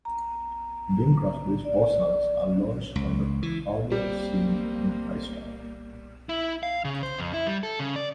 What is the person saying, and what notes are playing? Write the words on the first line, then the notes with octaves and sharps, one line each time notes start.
Bing Crosby's four sons are launched on the cabaret scene in high style.
A#5
D5
C#2
E3
G3 A#3 C4
E4
F5
C#3
C5
F2
E4
G3
A4
C#3
D5